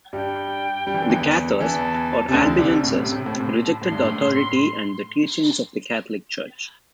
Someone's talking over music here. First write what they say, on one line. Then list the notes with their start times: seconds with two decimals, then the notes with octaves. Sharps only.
The Cathars or Albigenses rejected the authority and the teachings of the Catholic Church.
0.13 G2 G3 G5
0.87 G3
0.94 E3
1.02 D3
1.10 E2 E3
1.60 E2 E3 A5
2.28 C3
2.34 D2 D3
2.58 C2 C3
2.83 A2
2.90 C3
2.97 A2
3.04 C3
3.08 A2 G5
3.19 C3
3.26 A2 A5
3.33 C3
3.40 A2 C6
3.63 A5
3.81 A2 C6
3.92 G2
4.02 A2